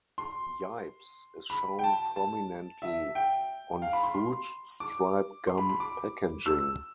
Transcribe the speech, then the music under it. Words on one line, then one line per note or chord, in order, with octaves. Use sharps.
Yipes is shown prominently on Fruit Stripe gum packaging.
C6
B5
G5
A5
A5
E5
G5
F5
B5
C6
C6
D6
C6
B5
B5
D6
E6